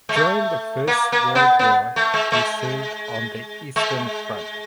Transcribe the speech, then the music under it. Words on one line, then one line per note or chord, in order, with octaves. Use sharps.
During the First World War he served on the Eastern Front.
G#3
A3
A#3
A#3
B3
B3
A3
G#3
G#3
G#3